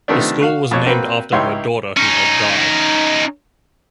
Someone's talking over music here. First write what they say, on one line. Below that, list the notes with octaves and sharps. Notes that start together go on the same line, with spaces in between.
The school was named after her daughter who had died.
C3 D#3 F3 A3 B3 D4
F#4 F5
F2 A#2 C#5
A#3 C4 F#4 B4
C#2 D#4 E4 G4 C#5 C6
C#4 D#4